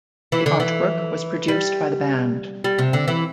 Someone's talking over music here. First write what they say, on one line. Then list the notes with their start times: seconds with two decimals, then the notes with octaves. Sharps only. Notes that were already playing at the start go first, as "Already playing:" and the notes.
The artwork was produced by the band.
0.32 E3
0.46 D3
0.60 E3
1.48 G3
2.64 G3
2.78 C3
2.93 D3
3.08 E3